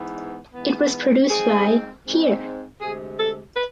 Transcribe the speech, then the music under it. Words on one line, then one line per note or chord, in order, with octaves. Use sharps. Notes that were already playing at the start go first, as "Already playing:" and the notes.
It was produced by Here!
Already playing: G#2 E3 B3
G#2 E3 B3
G#2 G#3 C4 G#4
G#2 G#3 C4
D2 C3 G#3 G#4
A4
B4